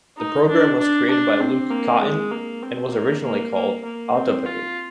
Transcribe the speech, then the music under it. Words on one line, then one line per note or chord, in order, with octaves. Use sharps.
The program was created by Luc Cottyn, and was originally called "autopkg".
D#4
D4
D4
D4
C4
A#3
G#3
A#3
C4
A#3
A#3
A#3
A#3
C4
F4